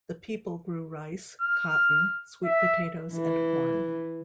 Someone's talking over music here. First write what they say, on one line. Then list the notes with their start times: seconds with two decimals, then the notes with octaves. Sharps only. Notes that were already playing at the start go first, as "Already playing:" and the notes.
The people grew rice, cotton, sweet potatoes and corn.
1.42 F6
2.45 E5
3.12 E3